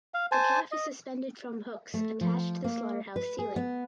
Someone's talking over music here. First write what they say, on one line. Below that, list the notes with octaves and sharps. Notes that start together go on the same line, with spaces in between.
The calf is suspended from hooks attached to the slaughterhouse ceiling.
F5
C5 G#5 A5
D#5
A3
F3
A#3
B4
G#4
B3